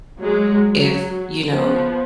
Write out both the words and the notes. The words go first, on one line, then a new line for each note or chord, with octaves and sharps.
if, you know,
F#3 G#3
F#3
F3 B3